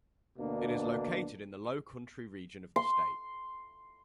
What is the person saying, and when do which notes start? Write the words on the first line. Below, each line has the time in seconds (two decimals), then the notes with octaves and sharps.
It is located in the Lowcountry region of the state.
0.38 D2 B2 A#3 D4
2.76 C6